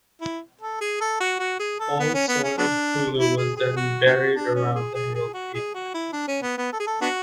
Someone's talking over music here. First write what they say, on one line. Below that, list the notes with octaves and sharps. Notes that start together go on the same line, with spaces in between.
All soiled pulu was then buried around the hale pea.
E4
A4
G#4
A4
F#4
F#4
G#4
A4
B3
C#4
B3
C#4
F#3 B3 D4
E4
G#4
G#4
F#4
B3 D4 F#4
D4
C#4
G#4
G#4
G#4
F#4
G#4
F#4
E4
D4
C#4
B3
B3
A4
G#4
A4
B3 D4 F#4